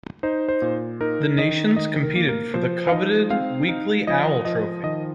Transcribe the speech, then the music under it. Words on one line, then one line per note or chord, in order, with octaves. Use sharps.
The Nations competed for the coveted weekly "Owl" trophy.
D#4 C5
C5
A#2
D#4 A#4
D#3 D#5
D#3 D#5
A#4
A#3
A#4
F3 C5
F5
D#4 D#5
C4 F5
D#4
F3 D#5
F3 D#5
D#3 D#5